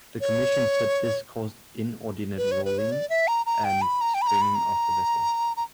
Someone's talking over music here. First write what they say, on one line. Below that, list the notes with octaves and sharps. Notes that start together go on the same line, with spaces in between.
The commission said this caused inordinate rolling and straining of the vessel.
C#5
B4
C#5
B4
C#5
D5
E5
A#5
A#5
G5
B5
A#5
G5
B5
A#5
B5
A#5
A#5